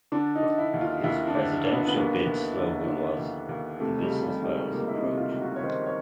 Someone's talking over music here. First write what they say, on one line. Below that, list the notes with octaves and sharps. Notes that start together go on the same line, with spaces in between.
His presidential bid slogan was "The Businessman's Approach".
D3 D4
D#4
D3
E4
D#2
F4
D#2 E4
D4
D3
D3
B3
B3
D#2 A#3
D#2
D3
D3
D#2
D#2
C3 A3
G#3
G3
C#2
G3
D#3 G3
G#3
C#2 A#3
E4
D#4
C3
F4
C#2
F#4
C#5
D#3 C5
C#5